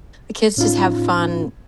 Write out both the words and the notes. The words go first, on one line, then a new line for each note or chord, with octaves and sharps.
the kids just have fun
A2 C#4 D#4 F4